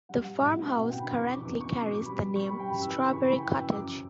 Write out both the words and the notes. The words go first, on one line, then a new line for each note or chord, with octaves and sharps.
The farmhouse currently carries the name "Strawberry Cottage".
G3 F#5
G3 F#5
A2 E5
B2 E5
B2 E5
F#5
B2 G5
D3 B5
E2 C#6
D3 D6
E2 D6
B2 C#6
B2 D6
B2 D6
G3 B5
G3
G3 C#6
G3 B5
G5
F#2 B5
E3 E6
C#3
B5
C#3 C#6
E3 B5
G5
F#2
G5
F#2 E6
F#2 D6
D6